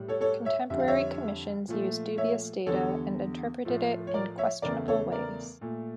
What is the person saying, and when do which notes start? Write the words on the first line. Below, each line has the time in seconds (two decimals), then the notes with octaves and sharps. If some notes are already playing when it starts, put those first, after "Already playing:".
Contemporary commissions used dubious data and interpreted it in questionable ways.
Already playing: A2 G3
0.08 A4 C#5
0.21 A4 C#5
0.45 C#5 E5
0.70 F2 D3 G3 E5
0.80 F5
0.88 C#5 E5
1.68 A#2 F3 A3
2.18 C#5 E5
2.66 E2 D3 G3 A4 C#5
3.65 A2 F3 A3
4.07 C#5
4.14 A#4 D5
4.38 C#5 E5
4.62 E2 C#3 E3 A3 A#4 D5
4.88 A4 C#5
5.12 A#4 D5
5.61 A#2 A3